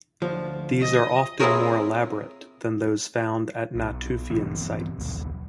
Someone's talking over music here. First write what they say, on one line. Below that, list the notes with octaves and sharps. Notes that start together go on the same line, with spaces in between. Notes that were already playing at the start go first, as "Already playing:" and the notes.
These are often more elaborate than those found at Natufian sites.
D2 F3
D#5
C4 E4 F4 G#4 A#4 C#5
B1
G2 B2 E3 C4
D#1 B1